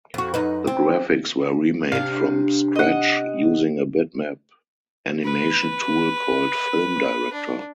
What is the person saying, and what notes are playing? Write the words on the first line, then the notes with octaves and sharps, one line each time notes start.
The graphics were remade from scratch using a bitmap animation tool called Film Director.
F2 F#4
F#2 D#4 B4
C4
C3 D4 F5
D#5 F#5
B4
D4